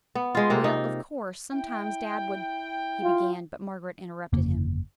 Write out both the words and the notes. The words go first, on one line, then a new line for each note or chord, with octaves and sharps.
"Well, of course, sometimes dad would"--he began; but Margaret interrupted him.
B3
G#3 F4
C3 A#3
D#4
E4 G5
F4
G1 F2 C#3 A#3